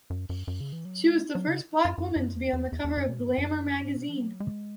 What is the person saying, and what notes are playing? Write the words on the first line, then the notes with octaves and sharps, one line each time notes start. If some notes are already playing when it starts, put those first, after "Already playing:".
She was the first black woman to be on the cover of "Glamour" magazine.
F#2
F#2
F#2
C#3
E3
F#3
G#3
F#3
C#3
F#2
F#2
F#2
E2
E2
E2
E2
F#2
B2
G#2
F#2
F#2
G#2
B2
E3
G#3
F#3
G#3